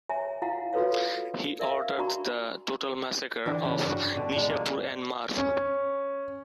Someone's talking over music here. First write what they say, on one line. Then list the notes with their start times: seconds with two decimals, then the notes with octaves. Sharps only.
He ordered the total massacres of Nishapur and Merv.
0.10 C#5 E5 G#5 A#5
0.42 E4 F4 F5 F#5 A#5
0.73 F4 F#4 A4 B4 C#5 F5
1.59 A#4 D5 E5 F5
1.98 D4 F#4 D5 A#5 B5 C#6
3.46 D3 E3 G3 D4
3.65 C#3
3.85 G2 G3 F#4
4.15 B2 D3
4.36 G3 G#3
4.49 G#3 A#3
5.38 C#4